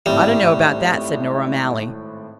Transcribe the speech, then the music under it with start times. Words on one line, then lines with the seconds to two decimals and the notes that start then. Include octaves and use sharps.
"I don't know about that," said Nora O'Malley.
0.06 G#1 A2 G3 E5